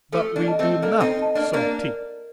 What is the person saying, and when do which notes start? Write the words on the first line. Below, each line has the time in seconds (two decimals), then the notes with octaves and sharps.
But we do not so teach.
0.12 F3 A3 A4
0.36 A#3 D4
0.48 D#5 A5
0.59 A3 C4
0.82 A#3 D4 A4
1.00 C4 D#4
1.19 D#5 A5
1.35 A#3 D4
1.53 A#3 D4 A#4